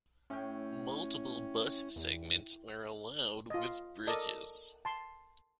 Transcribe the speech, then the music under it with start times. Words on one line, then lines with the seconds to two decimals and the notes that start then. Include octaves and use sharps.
Multiple bus segments are allowed with bridges.
0.30 A2 C#4 G5
1.96 E2
3.50 F4 D#5
4.07 A4 A#4 D5 D#5
4.85 A5 C6